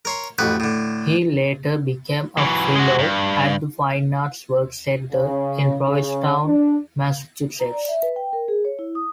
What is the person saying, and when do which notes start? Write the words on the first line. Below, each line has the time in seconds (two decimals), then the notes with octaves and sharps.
He later became a Fellow at the Fine Arts Work Center in Provincetown, Massachusetts.
0.05 A#4 C#5 C6
0.39 A1 F2 F#4 B4
0.60 A2 D3
2.38 E3 F#3
2.75 G#3 F#4
2.99 G2
5.11 C#3
5.87 C#3
6.45 D4
7.60 A#5
7.72 D5
7.88 E5
8.03 B4
8.16 G5
8.33 A#4
8.48 G#4
8.65 C#5
8.79 E4
8.95 D#6